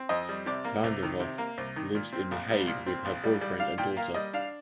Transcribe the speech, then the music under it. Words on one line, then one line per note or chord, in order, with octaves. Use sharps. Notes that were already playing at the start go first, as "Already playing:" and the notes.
Van der Werf lives in The Hague with her boyfriend and daughter.
Already playing: C4
F2 D#5
G3
C3 D5
A#3
C2
D#3
C3
A#3
C2
D#3
A#2
C4
A#1
G3
A#2
C4
A#1
G3
G3
D4 F5
A#2 G5
A#3 F5
G3 D#5
D4 F5